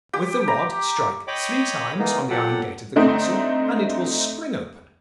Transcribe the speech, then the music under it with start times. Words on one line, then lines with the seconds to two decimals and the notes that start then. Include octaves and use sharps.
With the rod strike three times on the iron gate of the castle, and it will spring open.
0.13 G4
0.48 A#5
1.28 C#5 D#5 G5 B5 D6
1.99 E3 A#3 B3 D#4
2.30 A#2 F#3 G4 A4 F#5
2.96 D3 A3 C4 D#4